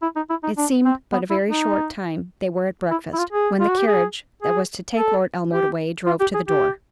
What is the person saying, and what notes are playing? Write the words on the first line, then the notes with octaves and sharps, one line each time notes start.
It seemed but a very short time they were at breakfast, when the carriage, that was to take Lord Elmwood away, drove to the door.
E4
D#4
E4
D#4
D4
C4
B3
E4
D#4
E4
E4
F4
G#4
F4
F#4
G4
G#4
G#4
A4
G4
F4
G4
G#4
G4